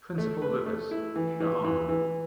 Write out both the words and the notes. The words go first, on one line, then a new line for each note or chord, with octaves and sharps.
Principal rivers—there are none.
A3
B4
A3
E4
E3
E3
E3
E3